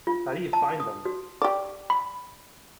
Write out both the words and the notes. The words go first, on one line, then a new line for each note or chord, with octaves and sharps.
How do you find them?
F4
A5
D#6
F#4
G4 D5
B5